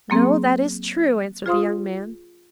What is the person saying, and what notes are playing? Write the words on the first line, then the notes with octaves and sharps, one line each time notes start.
'No; that is true,' answered the young man.
F#3 A#3 C4 G#4
F4 G#4 C5 F5 C6 D#6